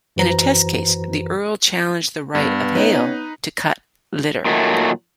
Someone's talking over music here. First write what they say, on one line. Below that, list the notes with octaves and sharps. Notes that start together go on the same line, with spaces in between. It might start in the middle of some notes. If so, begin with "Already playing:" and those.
In a test case, the Earl challenged the right of Hale to cut litter.
F#2 E3 F#4 B4 C5 A#5
G2 B3
C3 C#4 D#4 B4
A#2 D#3 F#3 A3